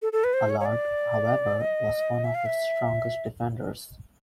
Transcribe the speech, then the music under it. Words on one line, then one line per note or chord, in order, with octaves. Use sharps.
Allard, however, was one of its strongest defenders.
A4
A4
B4
C5
C#5
C#5
D5
D#5
E5
F5
E5